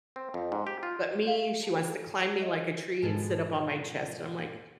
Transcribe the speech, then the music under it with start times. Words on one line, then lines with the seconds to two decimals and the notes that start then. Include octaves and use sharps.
but me, she wants to climb me like a tree and sit up on my chest, and I'm like,
0.16 C4
0.34 F2
0.52 G#2
0.67 G4
0.83 F4
1.27 E5 F5
1.63 G4 A5
1.89 A4
2.22 F#5
2.40 D#5
3.02 G#2 B2 F3 B3 G#4 A4